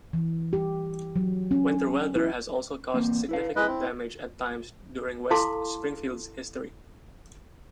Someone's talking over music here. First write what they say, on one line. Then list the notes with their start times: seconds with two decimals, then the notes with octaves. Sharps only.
Winter weather has also caused significant damage at times during West Springfield's history.
0.13 E3
0.53 G4
1.16 F#3
1.51 C#4
2.16 E4
2.94 E2 A#3 C4
3.29 E4 B4 F5
3.56 G#3 E4 B4 D#5
3.67 C4
5.30 E4 A4 F5 A5 C6 D6